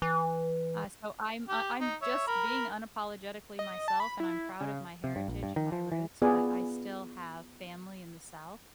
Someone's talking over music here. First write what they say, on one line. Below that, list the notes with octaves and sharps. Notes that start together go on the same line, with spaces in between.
Uh, so I'm uh, I'm just being unapologetically myself, and I'm proud of my heritage and my roots, but I still have family in the South
E3
G4
D#4
C#5 E5
A#4 B5
D#5
A5
B5
E4
C#3
C3
G2
A#1
G2
D#3
F3
E3
B3 F4 G#4 D5 G#5